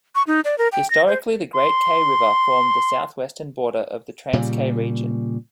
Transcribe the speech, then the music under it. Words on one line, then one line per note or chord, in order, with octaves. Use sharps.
Historically the Great Kei River formed the southwestern border of the Transkei region.
C#6
D#4
D5
A#4
G5
A#6
C5
C6
A#2 C#3 G3